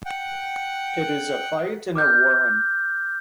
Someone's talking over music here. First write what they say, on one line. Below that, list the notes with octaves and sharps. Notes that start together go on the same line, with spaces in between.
It is a fight in a warren.
F#5 G5
D6 F6 G6